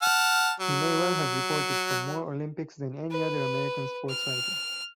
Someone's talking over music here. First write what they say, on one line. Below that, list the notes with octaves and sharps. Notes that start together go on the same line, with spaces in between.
He may well have reported from more Olympics than any other American sportswriter.
F#5 A5 F6
F#3
B4
F6